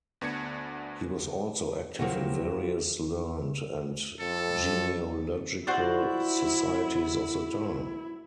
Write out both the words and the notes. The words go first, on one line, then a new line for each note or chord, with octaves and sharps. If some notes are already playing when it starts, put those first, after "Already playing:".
He was also active in various learned and genealogical societies of the time.
D2 B3 D4 G#6 C#7
F3 F#3 A#3 E4 F#4 G4
F2 A4
E4 F#4 C5 D5